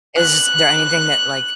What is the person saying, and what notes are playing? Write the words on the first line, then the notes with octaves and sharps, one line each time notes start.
is there anything that like
F#6